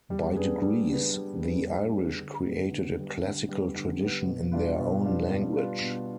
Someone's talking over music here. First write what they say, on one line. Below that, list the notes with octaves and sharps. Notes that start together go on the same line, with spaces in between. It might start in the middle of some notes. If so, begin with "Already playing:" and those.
By degrees the Irish created a classical tradition in their own language.
G3
B3 D4 G#4 B4
G3
B3 D4 G#4 B4
G3
B3 D4 G#4 B4
G3
B3 D4 G#4 B4
D3
G3 B3
D3
G3 B3
D3
G3 B3
D3
G3 B3
B2
G3 D4 F4 B4
B2
G3 D4 F4 B4
B2
G3 D4 F4 B4
B2